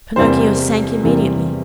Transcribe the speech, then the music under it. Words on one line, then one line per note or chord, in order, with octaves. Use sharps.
Pinocchio sank immediately.
E2 C3 E3 G3 A#3 C5
E2 C3 E3 G3 A#3